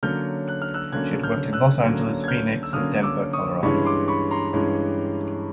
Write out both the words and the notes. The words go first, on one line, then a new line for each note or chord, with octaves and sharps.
She has worked in Los Angeles, Phoenix and Denver, Colorado.
D3 F#3 A#3 C#4 F6 G6
F#6
F6
E6 F#6
D3 F#3 A#3 C#4 F#6 G#6
F6 G6
E6 F#6
D3 F#3 A#3 C#4
G#6
F6 G6
E6
D3 F#3 A#3 C#4 D#6 F6
D6 E6
C#6 D#6
G2 E3 G#3 C#4 B5 C#6
C6 D6
B5 C#6
A#5 C6
G2 E3 G#3 C#4